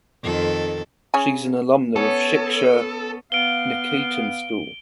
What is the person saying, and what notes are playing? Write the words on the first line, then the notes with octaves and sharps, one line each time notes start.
She is an alumna of Shiksha Niketan school.
F2 D#3 A4
C#3 C#5 G#5
B3 C#4 A4 C#5 D#6
B3 F5 D7 G7